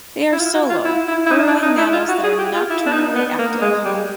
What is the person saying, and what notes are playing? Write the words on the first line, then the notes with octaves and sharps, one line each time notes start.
They are solo, burrowing mammals that are nocturnally active.
E4
F4
F#4
F4
E4
E4
E4
D#4
D4
D#4
E4
F4
F#4
G#4
G4
F4
E4
D4
D#4
B3
A#3
G#3
G3